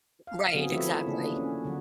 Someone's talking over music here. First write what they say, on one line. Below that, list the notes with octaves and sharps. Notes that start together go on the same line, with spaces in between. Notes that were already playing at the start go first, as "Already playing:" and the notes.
Right, exactly.
F5
D3 F#3 B3 C4 G#4
E3 F3 A3 E4 C#5 E5
C#3 A#3 D4 G#4
C#4
D3 F#3 F#4